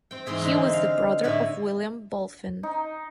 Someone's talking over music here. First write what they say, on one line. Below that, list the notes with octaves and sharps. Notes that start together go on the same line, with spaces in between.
He was the brother of William Bulfin.
C4 G5
E2 G#2 C4 G#4 E5
D3 E3 G#3 D#4
F5
A2 D3 E4 G#5
D#4